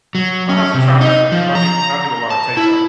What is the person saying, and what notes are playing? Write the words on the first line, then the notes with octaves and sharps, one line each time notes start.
I'll have to try that then 'cause I do I do a lotta takeout.
F#3
C#4
C3
D#4
F3
A#5
A5
E4